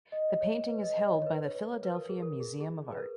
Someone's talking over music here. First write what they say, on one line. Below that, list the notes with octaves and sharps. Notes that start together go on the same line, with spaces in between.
The painting is held by the Philadelphia Museum of Art.
D#5
D#5
C#5
B4
D#5
D#5
C#5
C#5
B4
C#5
B4
B4
A#4
G#4
A#4
G#4
G#4
B4
A#4